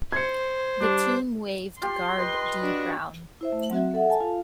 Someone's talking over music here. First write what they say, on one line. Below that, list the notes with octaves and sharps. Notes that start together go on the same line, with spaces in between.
The team waived guard Dee Brown.
C5 G#6 C#7
G3 D4
F4 G4 C6
B4 D#5
D4 F#4
E4 C5 E5
A3
F#3 C4 F#4 E5
A4 E5 F#5
A4 G#5 A5
F4 F5